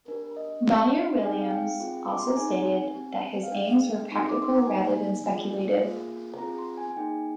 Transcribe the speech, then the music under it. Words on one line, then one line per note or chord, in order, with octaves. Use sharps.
Monier Williams also stated that his aims were practical rather than speculative.
D4 G4 A#4
D#5
C4 G4
C4 D#4 G#4 G#5
G5
F5
G5
C4 F4 G#4
D6
C6
A#5
C4 D#4 G#4 G#5
C4 G4
F5
D4 G#4 G5
C4 D#4 G#4
D6
C6
A#5
A#3 D#4 G4 G#5
D4 F4 G#4
A#3 F4 G#4
C4 F4 G#4 A#5
C6
G#5
G#5
A#3 D#4 G#4 G5